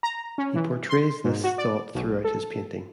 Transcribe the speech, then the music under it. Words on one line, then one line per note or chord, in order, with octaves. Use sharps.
He portrays this thought throughout his painting.
A#5
C#4
E3
C6
G#2
F#4
D5
B1
A4